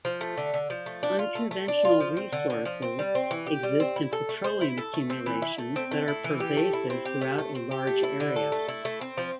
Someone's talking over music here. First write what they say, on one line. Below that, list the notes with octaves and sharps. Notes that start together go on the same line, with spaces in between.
"Unconventional resources" exist in petroleum accumulations that are pervasive throughout a large area.
F3
A3
D3
D3
F3
A3
D4
F4
A3
A3
D4
F4
F3
C4
D3
D3
F3
C4
G3
C4
E3
G4
G3
C4
E4
A4
A3
C5
E4
A4
A3
C4
E3
E4
A3
C4
A3
E4
E3
G4
A3
E4
C4
G4
A3
A3
C4
G4
A3
E4
D3
A4
A3
E4
A3
C4
F3